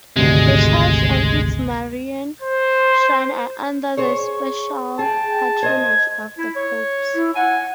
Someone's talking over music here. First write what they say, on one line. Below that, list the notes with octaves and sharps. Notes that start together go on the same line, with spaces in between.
The church and its Marian shrine are under the special patronage of the popes.
G#1 D2 C3 G#3
C5
G#4 C5 C#5 C#6
G#4 G5 A5
C5 C#5 D#5 G#6
E4
C#5
E4
F#5 G#5